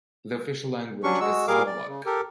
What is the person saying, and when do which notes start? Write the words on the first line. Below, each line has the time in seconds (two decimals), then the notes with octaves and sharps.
The official language is Slovak.
1.04 F#3 C#4 D4 C#6
1.20 G#3 F#4 E6
1.48 A#2 G3 G#4 A#4 F5 D6
1.66 D5
1.88 C#3
2.06 G4 A4 A#4